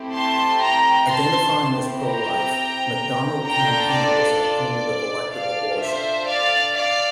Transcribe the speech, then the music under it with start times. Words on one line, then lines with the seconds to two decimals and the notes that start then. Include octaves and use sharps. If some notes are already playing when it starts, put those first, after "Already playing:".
Identifying as pro-life, McDonnell campaigned as an opponent of elective abortion.
Already playing: A3 C4 E4 G4
0.15 A5 C6
0.62 G5 A#5
1.09 A5 C6
1.57 C4 E4 G4
2.04 G5 A#5
3.45 D4 F4 A4 G5 A#5
3.92 D5
4.40 D5
5.33 D4 F4 A4 D5 F5
5.81 C5 E5
6.28 D5 F5
6.76 D5 F5